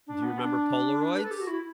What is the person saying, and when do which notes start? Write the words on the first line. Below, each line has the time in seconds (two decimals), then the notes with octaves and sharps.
Do you remember Polaroids?
0.07 D4
0.23 B3
0.38 D4
1.15 B4
1.23 A4
1.31 G4
1.40 F#4
1.47 E4